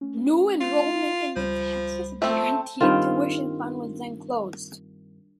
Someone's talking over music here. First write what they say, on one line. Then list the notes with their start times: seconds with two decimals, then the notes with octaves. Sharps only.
New enrollment in the Texas Guaranteed Tuition Plan was then closed.
0.01 A3 C#4
0.61 F4
1.36 C#2 F3 G3 B5
2.22 F3 A3 C4 G5 A5
2.81 G2 D#3 C4 F4